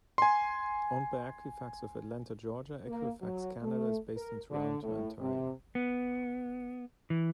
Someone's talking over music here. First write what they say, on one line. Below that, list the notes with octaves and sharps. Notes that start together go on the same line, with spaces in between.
Owned by Equifax of Atlanta, Georgia, Equifax Canada is based in Toronto, Ontario.
G#5 C6
A#3
F#3
A3
A#4
D3
A2
C3
B3
E3